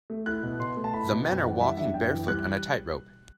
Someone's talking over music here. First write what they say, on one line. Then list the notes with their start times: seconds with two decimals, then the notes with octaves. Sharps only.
The men are walking barefoot on a tightrope.
0.10 A3
0.26 E4 F#6
0.43 B2
0.59 B2 C6
0.77 A3
0.84 A5
0.93 E4 B5
1.10 B2
1.26 F#2 G5
1.44 E3 F#5
1.60 G3 E5
1.77 D4 E5
1.94 F#2 G5
2.11 E3
2.28 G3 F#6